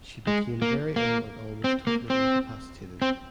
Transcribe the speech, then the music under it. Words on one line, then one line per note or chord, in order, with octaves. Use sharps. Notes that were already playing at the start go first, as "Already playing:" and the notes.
She became very ill and almost totally incapacitated.
G#3
A#3
A#3
C4
A#3
C4
C4